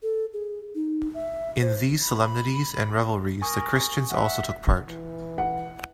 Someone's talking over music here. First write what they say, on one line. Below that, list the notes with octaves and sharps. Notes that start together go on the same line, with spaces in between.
In these solemnities and revelries the Christians also took part.
A4
G#4
D#4
E5
C5
B5
A#4 G#5 C#6 D#6
E5 F#5
E3
F#5